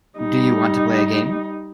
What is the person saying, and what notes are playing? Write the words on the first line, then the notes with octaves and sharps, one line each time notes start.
Do you want to play a game.
G3 D#4